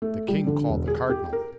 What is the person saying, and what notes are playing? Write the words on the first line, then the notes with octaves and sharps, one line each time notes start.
The king called the cardinal.
A3
G3
D3
E1
G#4
G4
A#4